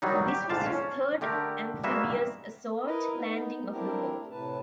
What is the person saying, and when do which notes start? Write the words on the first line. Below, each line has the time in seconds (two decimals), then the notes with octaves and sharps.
This was his third amphibious assault landing of the war.
0.02 D#3 F#3 G3 D#4
0.28 G4
0.50 G#2 D3 F5 A5
0.66 C#4
1.21 D3 A3 G4 A#4
1.84 G3 G#3 A#3 F#4 B4 E5
2.86 E4 A#4 B4 D#5
3.16 B3 D#4
3.72 A3 C4 D4 E4 G4 A#4
4.31 A2 C3 B4 A5